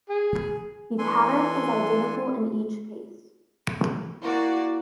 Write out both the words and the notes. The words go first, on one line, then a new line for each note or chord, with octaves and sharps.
The pattern is identical in each case.
G#4
E3 D4 A4 G#5 C6
A#3 E4 F#4 D5